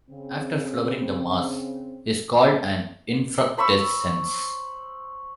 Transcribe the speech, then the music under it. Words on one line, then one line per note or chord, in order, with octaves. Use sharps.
After flowering the mass is called an infructescence.
C#3 C4
C5 B5 C#6 E6